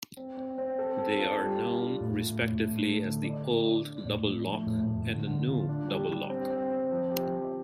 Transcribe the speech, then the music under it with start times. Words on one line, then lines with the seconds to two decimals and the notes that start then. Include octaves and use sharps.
They are known respectively as the Old Double Lock and the New Double Lock.
0.17 C4
0.37 C4
0.58 C4
0.79 A4
0.98 A4
1.19 F4
1.39 G3
1.59 F4
1.80 D4
2.01 A2
2.22 A3
2.42 A2
2.62 A3
2.83 A4
3.02 D3
3.24 D5
3.44 D5
3.64 D5
3.85 D4
4.05 A2
4.26 F3
4.46 A3
4.66 A2
4.87 A2
5.07 D3
5.27 D3
5.48 F4
5.69 D4
5.88 G3
6.09 G3
6.30 C4
6.50 C4
6.71 C4
6.91 F3
7.11 G4
7.32 F3